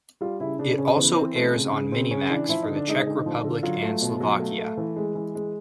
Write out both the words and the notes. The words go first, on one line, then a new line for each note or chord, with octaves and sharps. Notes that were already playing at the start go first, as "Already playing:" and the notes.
It also airs on Minimax for the Czech Republic and Slovakia.
G3 F4
C#3 E4
C#3 D4
C#3 C#4
E3 B3
E3 C4
A3 C4
C#3
C#3
C#3 C4
C#3 C#4
E3 D4
F3 E4
D#4
D3
D4
G#3 D#4
D3 D#4
F3
D3
F#3 F4
A3
B2
F#3
A3
A3
E3
G#3
E3
G#3